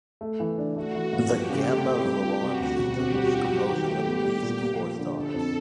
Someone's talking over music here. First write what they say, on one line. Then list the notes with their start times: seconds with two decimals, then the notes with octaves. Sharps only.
The Gamma Velorum system is composed of at least four stars.
0.21 A3
0.40 E3
0.58 D4
0.76 A3 F#4
0.95 E3
1.13 G2
1.31 F3 G4
1.50 C#3
1.68 A3
1.86 C4
2.05 G3
2.23 F4
2.41 C3 F#4
2.60 D2
2.78 E1
2.96 C4 G4
3.14 G3
3.33 F4
3.51 F#3
3.70 D#3
3.88 A3
4.06 B3
4.25 G3
4.43 A#2
4.61 A#3
4.79 F3
4.98 D3
5.16 D3 A4
5.34 F2